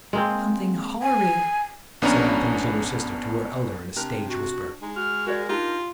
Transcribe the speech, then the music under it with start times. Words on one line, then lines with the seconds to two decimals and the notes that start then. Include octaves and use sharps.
"Something horrid," said Anthony's younger sister to her elder in a stage whisper.
0.13 G#3 A#3 C4
1.02 G#5
2.02 A#1 B3 C#4 D4 G#5 A#5
3.96 C3 D4 A#4 G5
4.29 F#4
4.82 G#3 D#4
4.96 F#4 F6
5.27 F#4 A#4 C#5 D5
5.49 D4 D#4 F4 G4